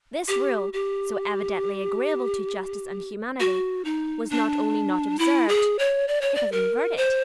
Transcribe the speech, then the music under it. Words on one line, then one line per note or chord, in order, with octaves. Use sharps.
This rule, so evidently agreeable to justice and humanity, was not only not observed: it was inverted.
G4
G4
F#4
D#4
D4
E4
G#4
C#5
D5
C#5
D5
A#4
C5